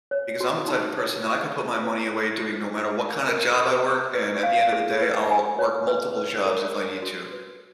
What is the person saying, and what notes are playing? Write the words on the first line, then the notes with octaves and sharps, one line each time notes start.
because I'm the type of person that I could put my money away doing no matter what kinda job I work, and at the end of the day I'll work multiple jobs if I need to.
C#5
F#4
D#4
C#5
C#6
C#6
B4
G#4
F4
G#4
A#4
A#4
C#6
C#6
B4
F5
G#4
B4
G#5
C#5
B4
B4
A#4
C#5
F#4
B4